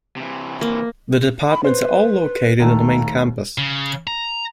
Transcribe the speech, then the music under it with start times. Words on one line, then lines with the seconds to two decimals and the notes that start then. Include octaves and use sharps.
The departments are all located on the main campus.
0.16 C3 E3
0.61 A#3
1.49 B5
1.64 B4 C5
2.60 D#2 D#3 A3 A#5
3.58 C#3
4.07 A#5